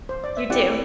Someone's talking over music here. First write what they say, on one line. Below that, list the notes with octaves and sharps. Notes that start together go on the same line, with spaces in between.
You, too.
C5
D5
E5
C4 E4 G4 D5 F#5